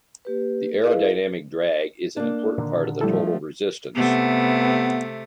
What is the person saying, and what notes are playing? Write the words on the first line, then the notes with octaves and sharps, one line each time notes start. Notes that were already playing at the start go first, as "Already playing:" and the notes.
The aerodynamic drag is an important part of the total resistance.
A#3 G4 B4
E4 G#4 A#4 B4 D#5 F5
A#3 D4
A#2 D3 D#3
F3 G3 A3 E4 A4
C3 A3 B3